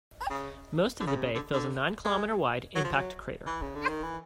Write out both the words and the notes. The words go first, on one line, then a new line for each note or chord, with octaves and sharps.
Most of the bay fills a nine kilometer wide impact crater.
C#3
D3
C#3
C3
C#3
D3
D3
G#3
F#3
F3
F#3
E3
C#3
D3
D#3
E3